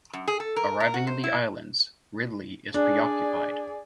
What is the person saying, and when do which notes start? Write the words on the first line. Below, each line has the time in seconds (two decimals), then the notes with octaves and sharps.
Arriving in the islands, Ridley is preoccupied.
0.13 F#2
0.28 G#4
0.40 A4
0.56 A#4
0.80 A#4
0.94 F#4
1.07 C5
1.24 E4
2.74 D4 G#4 D5